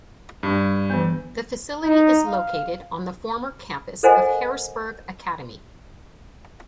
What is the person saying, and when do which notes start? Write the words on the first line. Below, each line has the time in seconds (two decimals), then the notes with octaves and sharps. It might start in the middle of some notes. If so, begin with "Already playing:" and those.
The facility is located on the former campus of Harrisburg Academy.
0.43 G2
0.90 E3 B3
1.83 D#4
2.27 F5
4.03 A4 A#4 C5 D#5 F#5 G#5